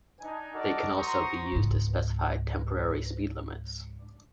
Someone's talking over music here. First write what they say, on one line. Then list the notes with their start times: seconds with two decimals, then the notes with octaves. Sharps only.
They can also be used to specify temporary speed limits.
0.20 D4 D#4 G#5
0.53 F#4 A4 A#4 D5 D#5
0.96 F#4 C5 A#5 C6 C#6 D#6
1.52 C#2 G#2